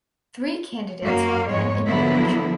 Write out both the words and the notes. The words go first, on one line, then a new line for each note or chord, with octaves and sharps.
Three candidates ran in the election.
F#2 A#3 F#4 F5
F2 G#2 G#3 C#5
D3 F3 F#3 A#3 B3 E4